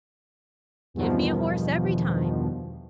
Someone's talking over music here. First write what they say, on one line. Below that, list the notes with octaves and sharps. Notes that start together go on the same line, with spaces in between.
Give me a horse every time.
E2 G2 B2 D#3 F3